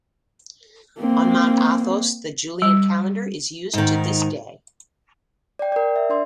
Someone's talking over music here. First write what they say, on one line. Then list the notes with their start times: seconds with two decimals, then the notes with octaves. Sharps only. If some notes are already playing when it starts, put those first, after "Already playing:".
On Mount Athos the Julian calendar is used to this day.
0.99 A#3 C4
2.62 G3
3.74 G#2 D#3
5.59 D5 G5
5.72 A#4 D5
5.96 E5
6.09 D4 D5 C6